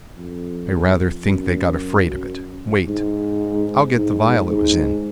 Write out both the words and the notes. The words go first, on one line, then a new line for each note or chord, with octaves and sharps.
I rather think they got afraid of it. Wait, I'll get the vial it was in.
F2
F#2
G#2
G#2
G#2